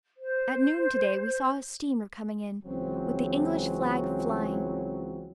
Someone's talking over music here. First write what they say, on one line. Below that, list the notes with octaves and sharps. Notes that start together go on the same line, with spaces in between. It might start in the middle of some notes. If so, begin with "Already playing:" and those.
At noon to-day we saw a steamer coming in, with the English flag flying.
C5
C#2 E3 F#3 C4